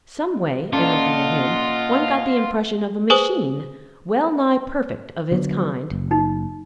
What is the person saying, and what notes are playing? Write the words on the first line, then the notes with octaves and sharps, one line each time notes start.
Someway, in looking at him, one got the impression of a machine, well-nigh perfect of its kind.
A#2 C#4 F4 A4 D5 D#5 F#5
G#4 B4 C5 G#5 D#6 F#7
D3 F#3 B3
F#1
D#4